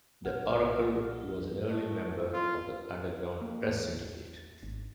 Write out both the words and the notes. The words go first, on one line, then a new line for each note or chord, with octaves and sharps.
The "Oracle" was an early member of the Underground Press Syndicate.
B1 F#5 F6
A3 E4 D#5
F4
A#3
E2
G#1